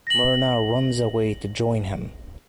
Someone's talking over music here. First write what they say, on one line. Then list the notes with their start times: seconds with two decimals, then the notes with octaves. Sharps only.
Merna runs away to join him.
0.07 A#6 F#7